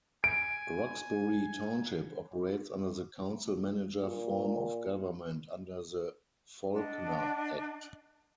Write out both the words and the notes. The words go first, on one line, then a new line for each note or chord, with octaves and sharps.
Roxbury Township operates under the Council-Manager form of Government under the Faulkner Act.
G#5 D7
A#2
D4 D#5 F#5 A5